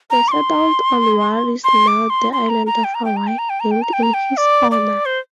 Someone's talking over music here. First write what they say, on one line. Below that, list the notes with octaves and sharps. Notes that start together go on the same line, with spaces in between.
They settled on what is now the Island of Hawaii, named in his honor.
A#5
D6
C6
C6
D6
C6
C6
A#5
A#5
G5
A#5
G5
A#5
G5
A#5
G5
A#5
G5
A#5
G5
A#5
G5
D5
D5
C5